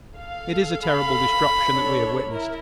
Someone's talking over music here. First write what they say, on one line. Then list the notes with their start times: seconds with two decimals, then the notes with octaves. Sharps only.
It is a terrible destruction that we have witnessed.
0.16 A4 F5
0.88 B5
1.70 D4 A4 C#5
2.28 E4 A#4